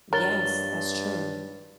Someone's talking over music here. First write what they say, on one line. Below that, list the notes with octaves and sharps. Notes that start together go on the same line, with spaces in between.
Yes, that's true.
G2 A#4 C#5 A6 G7